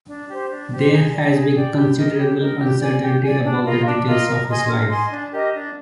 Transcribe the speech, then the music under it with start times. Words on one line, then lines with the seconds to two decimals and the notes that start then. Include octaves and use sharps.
There has been considerable uncertainty about the details of his life.
0.08 D4
0.29 G4 C5
0.50 D4
0.72 G4 C5
0.93 G#4
1.14 D5 G5
1.35 G#4
1.55 D5 G5
1.76 G4
1.97 A#4 D#5
2.18 G4
2.40 A#4 D#5
2.60 G4
2.81 D5 G#5
3.02 G4
3.23 D5 G#5
3.43 D4
3.64 F4 A#4 D#5
3.86 D4
4.07 F4 A#4 D#5
4.27 A#4
4.49 D#5 G#5 C6
4.70 A#4
4.90 D#5 G#5 C6
5.11 D4
5.32 G4 A#4 D#5
5.53 D4